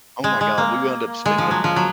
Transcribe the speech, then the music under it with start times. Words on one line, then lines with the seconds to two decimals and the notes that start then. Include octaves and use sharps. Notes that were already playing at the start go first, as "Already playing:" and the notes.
Oh my god. We wound up spending
0.24 G#3
0.41 G#3
0.58 A#3
1.26 G#3
1.38 F3
1.51 F#3
1.64 F3
1.76 F#3